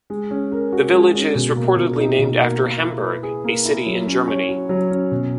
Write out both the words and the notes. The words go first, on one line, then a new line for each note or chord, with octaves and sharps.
The village is reportedly named after Hamburg, a city in Germany.
G#3
C#4
A#4
F#4
G#3
C#4
B2
A#3
B2
D#4
B2
A#3
A#3
E4
B4
G#4
A#3
E4
F#3
C#4
C#5
F#4
F#3
C#4
B2